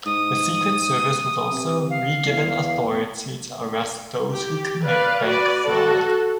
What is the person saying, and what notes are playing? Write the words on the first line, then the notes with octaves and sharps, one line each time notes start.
The Secret Service was also regiven authority to arrest those who commit bank fraud.
G#2 D#6
C3
F5
E2
G4
B4 D5 F5
F#4 B4 D5
F#4 A4